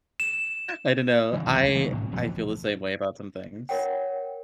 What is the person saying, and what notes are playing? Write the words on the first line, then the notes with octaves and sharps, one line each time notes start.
I dunno. I I feel the same way about some things.
E7
C#3 E3
C#2 C#3 E3
D2
D#3 A3 B3
G#2 B2 C#4
D1 A#1 E3 F3
A#4 C#5 F#5 G5